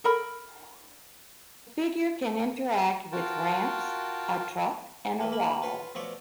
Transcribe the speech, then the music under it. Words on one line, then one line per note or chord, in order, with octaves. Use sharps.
The figure can interact with ramps, a truck and a wall.
A4 A#4 B5
F4 F#4 A#4 G5 A5
E3 A#3
A#3 B5
F4 B4 C#5 C6
B2 F3 A3 C#5 D5